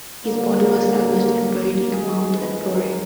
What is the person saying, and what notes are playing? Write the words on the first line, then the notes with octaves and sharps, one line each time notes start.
His body was salvaged and buried in a mound at Borre.
D2 D3 F#3 A#3
F2 D#3 G#3 G#4
B4
A#4